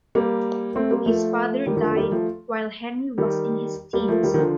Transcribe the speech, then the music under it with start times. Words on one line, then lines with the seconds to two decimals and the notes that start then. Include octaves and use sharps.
His father died while Henry was in his teens.
0.15 G3 A#3
0.75 A3 C4
0.91 G3 A#3
1.06 F3 A3
1.66 D#3 G3
1.77 D#3
1.82 D3 F3
1.92 A3
1.96 D#3 G3
2.12 F3 A3
3.18 D#3 G3
3.93 G3 A#3
4.08 F3 A3
4.23 D#3 G3
4.34 D#3
4.38 D3 F3